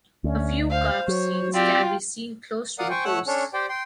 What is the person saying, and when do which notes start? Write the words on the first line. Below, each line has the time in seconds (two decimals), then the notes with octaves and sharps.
A few calf seals can be seen close to the coasts.
0.24 D2 C#4
0.70 C5 F5
1.08 F#3 C#5
1.54 C4 F4 G4 D5 G5
2.79 A#4 D5 F5 F#5 D#6
2.90 C5 G5 G#5 C#6
3.05 A3 C#5 F#5 E6 F#6
3.27 C#4 D4 A4 C#5
3.54 G4 C5 D5 G5
3.69 G5 C6